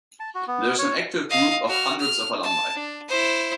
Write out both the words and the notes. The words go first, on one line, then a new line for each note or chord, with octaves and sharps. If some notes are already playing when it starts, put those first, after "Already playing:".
There is an active group of hundreds of alumni.
A5
F#4
B3
C#5
D#5 F5
F#4 F6
F6
A5
D4
E4 C5